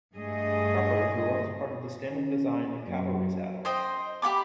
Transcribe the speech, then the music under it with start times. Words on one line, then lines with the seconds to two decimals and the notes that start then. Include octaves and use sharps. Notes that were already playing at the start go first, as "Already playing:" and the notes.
Cruppers were once part of the standard design of cavalry saddles.
0.14 G2 A3 G#4 D#5
2.11 C#4
2.87 F#2
3.65 C5 D#5 G5
4.22 G4 G5 B5 D6